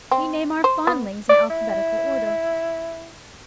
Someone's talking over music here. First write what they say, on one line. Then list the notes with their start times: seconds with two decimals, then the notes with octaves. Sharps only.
We name our fondlings in alphabetical order.
0.11 C4
0.64 C5
0.87 B3
1.29 D5
1.50 E4